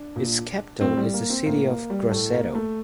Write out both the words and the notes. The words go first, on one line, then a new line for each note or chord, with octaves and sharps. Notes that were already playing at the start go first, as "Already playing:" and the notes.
Its capital is the city of Grosseto.
Already playing: D4
A#2
A2 C4
G3
A#3
C4
A2 A#3
A#3
G3
A2 A3
A#3
A3